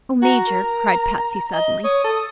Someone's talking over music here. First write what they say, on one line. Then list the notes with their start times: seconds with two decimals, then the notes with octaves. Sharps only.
"Oh, Major!" cried Patsy, suddenly.
0.22 F#4 A#5
0.47 A#4
1.53 D#5
1.84 C#5 D#6
2.04 A4